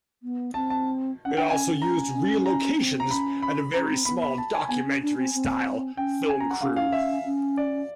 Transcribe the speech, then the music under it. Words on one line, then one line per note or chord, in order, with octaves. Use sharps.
It also used real locations, and a very small documentary-style film crew.
B3
C4 A5
A5
C#4 F#5
D4 G5
C#4 G#5
A#5
C#4
A#5
C4
A#5
C#4 B5
B5
C#4 A#5
C4
B3 B5
B5
A5
G#5
B3 G#5
C#4
D4
C4
C4
C#4 G5
G#5
A#5
F#5
C#4 F5
F5
E5
C#4
D5